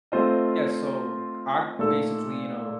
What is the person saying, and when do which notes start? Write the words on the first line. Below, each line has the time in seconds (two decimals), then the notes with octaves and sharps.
Yeah, so I basically, you know
0.12 A3 C4 F4 C5 D#5
1.79 A#2 A3 D#4 A4